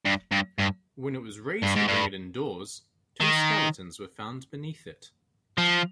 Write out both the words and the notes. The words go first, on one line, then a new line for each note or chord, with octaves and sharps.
When it was raised to bring it indoors, two skeletons were found beneath it.
G2
G2
G2
G2
G#2
G2
D#3
F3